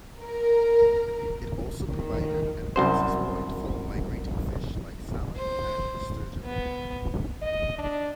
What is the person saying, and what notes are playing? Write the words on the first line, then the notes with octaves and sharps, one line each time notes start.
It also provided an access point for migrating fish like salmon and sturgeon.
A#4
D#3
C2 F#2 C5
C5
B3
D#5
D4